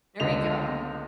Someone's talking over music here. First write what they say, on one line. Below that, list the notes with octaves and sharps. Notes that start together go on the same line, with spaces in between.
There you go.
C#2 D3 D#5 F7